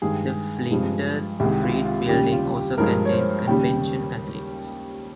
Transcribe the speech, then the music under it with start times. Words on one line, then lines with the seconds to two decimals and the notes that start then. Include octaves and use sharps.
The Flinders Street building also contains convention facilities.
0.02 G2 D#3 G#3 G#4
0.71 G2 F3 G#3
1.39 C2 C3 D#3 G#3 G4
1.62 F4
1.85 F4
2.09 D#2 C#3 G3 G4
2.32 F4
2.55 G4
2.78 G2 F3 G#3 A#4
3.05 C#5
3.12 C5
3.47 D#2 C#3 G3 G5